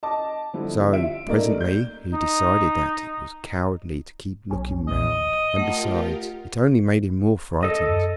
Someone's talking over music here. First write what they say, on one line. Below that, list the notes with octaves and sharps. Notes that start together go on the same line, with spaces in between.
So presently he decided that it was cowardly to keep looking round, and besides, it only made him more frightened.
D#5 A5 D6
D3 F3 G3 B3 E4
F4 E5 D7
G3 A3 A#3 D#4 A#4 D5
G6
D#4
B1 C#4
A#1 D#5
A3 F4 G4 A#4 F#5
A4 D#5
F#2